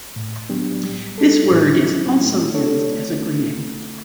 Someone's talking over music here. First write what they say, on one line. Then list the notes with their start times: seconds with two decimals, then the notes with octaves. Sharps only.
This word is also used as a greeting.
0.16 A2
0.49 F#3 B3 D4 G4
0.83 G3
1.18 D4 A4
1.52 A2
1.86 F#3 C#4 E4
2.20 A3
2.54 D4 A4 C#5
2.88 A3